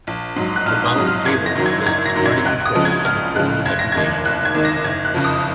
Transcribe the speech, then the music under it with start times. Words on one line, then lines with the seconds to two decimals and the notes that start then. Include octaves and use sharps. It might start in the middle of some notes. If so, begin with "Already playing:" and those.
The following table lists party control in the foral deputations.
0.07 A#1
0.36 G#2 F#3
0.56 F#6
0.66 A#1 F6
0.86 D#6
0.96 G#2 F#3
1.06 F6
1.26 F#1 G#6
1.46 A#6
1.55 F#2 D#3 F#3
1.66 G#6
1.85 F#1 G#6
2.06 A#6
2.16 F#2 D#3 F#3
2.26 G#6
2.45 C#2 F#6
2.65 D#6
2.75 C#3 F3 G#3
2.85 G#6
3.05 C#2 F6
3.36 C#3 F3 G#3 F#6
3.65 F1 G#6
3.79 A#6
3.92 D#2 D#3 G#3 G#6
4.25 F1 F#6
4.45 G#6
4.55 D#2 D#3 G#3
4.65 A#6
4.84 F#1 G#6
5.05 F#6
5.14 F2 C#3 F3
5.25 D#6